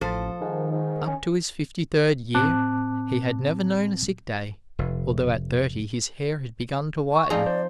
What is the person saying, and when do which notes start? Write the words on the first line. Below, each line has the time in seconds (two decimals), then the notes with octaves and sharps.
Up to his fifty-third year he had never known a sick day, although at thirty his hair had begun to whiten.
0.01 A1 F3 A4 C5
0.41 G#2 D#3
0.71 G#2
1.07 C#4
2.34 A2 C4 A5 D6 F#6
4.79 F1
7.13 C#6
7.30 F3 C4 D#4 G#4 D5 F5
7.46 C5